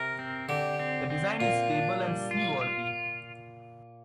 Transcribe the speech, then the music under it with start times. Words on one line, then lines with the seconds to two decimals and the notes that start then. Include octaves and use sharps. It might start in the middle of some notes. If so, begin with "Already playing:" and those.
The design is stable and seaworthy.
Already playing: C3 A#4
0.19 C4
0.49 D3 G4
0.79 C4
1.10 C4
1.40 A#2 F4
1.71 D4
2.00 G3
2.31 F4
2.61 F4